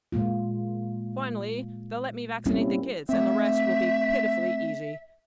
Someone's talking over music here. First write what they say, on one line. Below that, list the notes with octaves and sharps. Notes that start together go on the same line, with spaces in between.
Finally, they'll let me vaccinate the kids and the rest will be pitifully easy.
A#2 G#3 A#3 F4
G3 A#3 C4 C#4 E4
A3 C4 E5